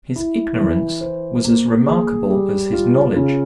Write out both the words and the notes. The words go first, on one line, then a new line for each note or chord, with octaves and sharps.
His ignorance was as remarkable as his knowledge.
E4
E3
C5
A#3
G#4
G3
F4
C#3